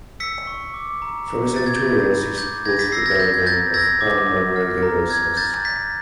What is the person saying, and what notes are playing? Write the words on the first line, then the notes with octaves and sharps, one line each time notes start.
From his editorials he supported the government of Juan Manuel de Rosas.
E6 B6 C#7
C#6
D6
A#5
A#5
D6 A6
G#6
G6
B5 G#6
B5
D6 G6
B5 G#6 A#6
A6 B6
E6 A#6 C7
G#6 A#6
E6 G6 A6
G#6
A#5 G6 A6
E6 G#6 A#6
D6
D6
F6
A#5
G6 G#6
A#5 G6 A6
G6 A6 B6